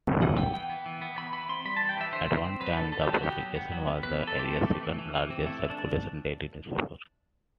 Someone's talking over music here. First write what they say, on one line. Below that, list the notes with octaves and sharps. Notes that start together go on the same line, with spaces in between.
At one time the publication was the area's second largest circulating daily newspaper.
E3 F#5
B3 G5
E3 G5
B3
E3
B3
E3 B5
E3 B5
C4 C6
G3 B5
E3 A5
G5
E3 E5
D3 C5
D3
C4
F#3 B4
D3 A4
D3 A4
G4
F#3
F#4
B3 G4
F#3
B3
F#3
B3
E3 B4
E3
A4
C4 G4
A3
E3
E3
E3
E3
C4
A3 E4
E3
D4